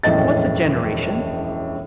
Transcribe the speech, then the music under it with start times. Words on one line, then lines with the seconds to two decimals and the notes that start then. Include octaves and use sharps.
"What's a generation?"
0.03 E1 A#1 F#2 A2 D#5 A6